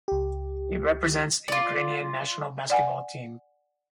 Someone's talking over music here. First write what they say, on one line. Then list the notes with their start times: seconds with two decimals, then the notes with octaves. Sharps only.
He represents the Ukrainian national basketball team.
0.08 C#2 G4
1.48 F4 D5
2.70 D5 F#5 G#5